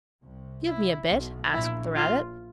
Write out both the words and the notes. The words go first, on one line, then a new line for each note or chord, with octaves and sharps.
'Give me a bit,' asked the rabbit.
C2 C3
E4
B1 B2
A#1 A#2 E4
F4